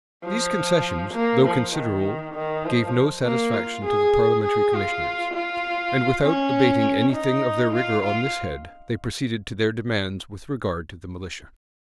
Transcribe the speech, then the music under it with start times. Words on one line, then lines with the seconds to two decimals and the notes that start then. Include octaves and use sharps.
These concessions, though considerable gave no satisfaction to the parliamentary commissioners; and, without abating any thing of their rigor on this head, they proceeded to their demands with regard to the militia.
0.25 F3
1.14 A#3
1.45 F3
1.75 D#3
2.34 D#3
2.65 F3
3.24 A#3
3.54 F4
3.85 G#4
4.44 G#4
4.74 F4
5.34 F4
6.24 C#4
7.14 D#4
7.73 F4
8.03 F4